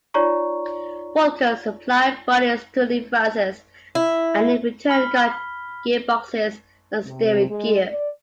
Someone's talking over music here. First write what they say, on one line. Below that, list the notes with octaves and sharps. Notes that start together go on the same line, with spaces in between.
Vulcan supplied bodies to Lea-Francis and in return got gearboxes and steering gear.
D#4 F4 C#5 D5 A#5 C#6
E4
B5 F6 B6 G7
C3
G#3
D5